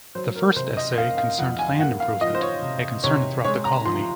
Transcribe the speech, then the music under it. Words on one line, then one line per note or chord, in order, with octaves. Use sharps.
The first essay concerned land improvement, a concern throughout the colony.
F#3 C5
A#4
C3 C5
D#5
A#3 F5
F5
F2 F#5
G#5
A#3 F#5
F5
F3 D#5
C5
C#5
C3
C3 C#5
G#3 C#5
A#5
F3 C6